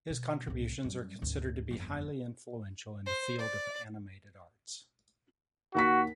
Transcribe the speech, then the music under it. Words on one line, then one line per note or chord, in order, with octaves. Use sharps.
His contributions are considered to be highly influential in the field of animated arts.
B2
C2 A2
F#2 G3
G#1 D2
G1 F2
C5
D5
D#2 F#4 F#5 B6